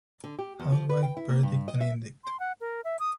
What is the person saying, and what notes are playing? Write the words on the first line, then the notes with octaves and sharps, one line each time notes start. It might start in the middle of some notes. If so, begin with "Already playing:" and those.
Housewife, verdict and indict!
D3
G4
E2
F3
B4
G5
E4
A#3
G2
D#5
E5
C6
F#5
A#4
E5
D#6